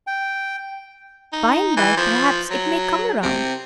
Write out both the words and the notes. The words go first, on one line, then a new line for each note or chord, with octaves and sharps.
By-and-by, perhaps, it may come round.
G5
D#4
E3
F3
F#3
C3